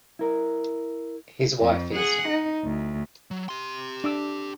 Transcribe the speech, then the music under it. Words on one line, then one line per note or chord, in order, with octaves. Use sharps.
His wife is.
E4 A#4
F2
G#4 F#5
D#4
D2
F#3
G4 C6
D4 D6 E6